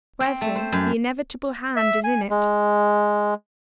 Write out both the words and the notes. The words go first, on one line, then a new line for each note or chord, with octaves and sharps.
Brethren, the inevitable hand is in it.
C4
A3
C5
F#2
E5
G#5
G#3